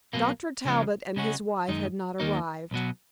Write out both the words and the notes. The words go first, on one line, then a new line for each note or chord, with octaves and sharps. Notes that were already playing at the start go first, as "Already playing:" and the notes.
Dr. Talbot and his wife had not arrived.
B1 B2 A#3
C#2 C#3 F3 G#3
C#3 G#3 C#4 F#4
F#2 D#3 G#3 D#4
D#2 D#3 A#3 D#4
B1 B2 F#3